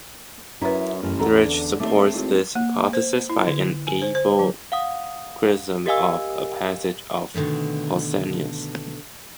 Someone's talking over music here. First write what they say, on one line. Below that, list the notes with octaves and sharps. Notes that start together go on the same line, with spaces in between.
Thiersch supports this hypothesis by an able criticism of a passage of Pausanias.
F#2 C#4 E4 B4 A#5
A1 F#2
E2 C#4 A4 F#5 A#5
D3
D#2 A3 C4 C#5 D6
G#1 E4 F#4
A#3
C5
E4
D3
G#5
C5
C5
F#3
F5 F#5 D#6
G4 A#4 D#5 F5 G#5 E6
B2 D3 D#3 F3 A3